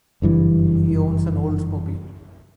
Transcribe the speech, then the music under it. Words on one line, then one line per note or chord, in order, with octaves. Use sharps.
He owns an Oldsmobile.
F#1 G2 E3